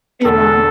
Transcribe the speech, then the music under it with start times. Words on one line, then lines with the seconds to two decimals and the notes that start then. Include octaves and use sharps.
You know.
0.24 E1 E2 D3 A4